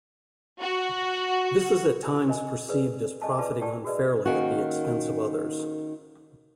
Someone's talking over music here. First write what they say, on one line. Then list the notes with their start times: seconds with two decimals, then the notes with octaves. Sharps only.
This is at times perceived as profiting unfairly at the expense of others.
0.62 F#4
2.28 A#4 D#5 G#5
2.69 G#4 A#4 B4 D5
3.21 D#5 G#5 A5
3.39 F4 B4 D5 A5 C#6
3.61 D5 G5 A5 C#6
3.84 F#4 G#4 A#4 B4 D5 D#5
4.26 D#3 A#3 C#4 F#4